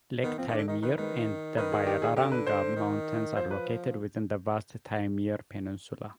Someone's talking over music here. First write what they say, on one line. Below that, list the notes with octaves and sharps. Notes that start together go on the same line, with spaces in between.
Lake Taymyr and the Byrranga Mountains are located within the vast Taymyr Peninsula.
D#3 B3
F3 C4
D#3 D4
D3
D#3 D#4
D#3 B4
D#3 B4
D#3 B4
G#4
G4
G#4
D3 G4
B4
C5
D#3
F3 C5
B4